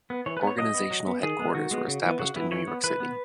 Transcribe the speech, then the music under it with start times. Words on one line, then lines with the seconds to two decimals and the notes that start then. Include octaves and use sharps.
Organizational headquarters were established in New York City.
0.10 B3
0.26 E3 C#5
0.37 B4
0.42 B3
0.47 C#5
0.58 F#3 D#5
0.74 B3
0.90 F#3
1.07 B3
1.23 D#3 G#4
1.39 G#3 B3
1.55 D#3 F#4
1.71 G#3 B3
1.88 C#3
2.03 E3 B3
2.19 C#3 F#4
2.36 E3 B3 E4
2.52 E3 C#5
2.68 B3
2.84 E3 B4
3.00 B3